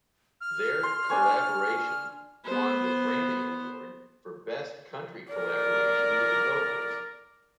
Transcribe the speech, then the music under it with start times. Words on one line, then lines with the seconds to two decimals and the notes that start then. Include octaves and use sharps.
Their collaboration won the Grammy Award for Best Country Collaboration with Vocals.
0.41 F6
0.83 C6
1.10 D4 G#5 C#6
2.44 B3 C5
5.32 A#4 D5